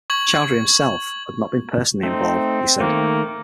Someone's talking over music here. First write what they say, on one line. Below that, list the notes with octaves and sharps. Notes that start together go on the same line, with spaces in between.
Chaudhry himself had not been personally involved, he said.
C#6 G#6 F#7
A3 C4 D#4
D#3 A3 A#3